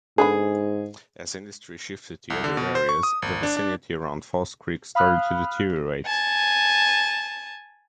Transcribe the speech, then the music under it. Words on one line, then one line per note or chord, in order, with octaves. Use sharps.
As industry shifted to other areas, the vicinity around False Creek started to deteriorate.
G#2 D3 B3 G#4 B5
C2
D3
B2
C5
C#6
D#6
G#1
D4
D4
F5 B5 D#6 F6 F#6
G#5 A5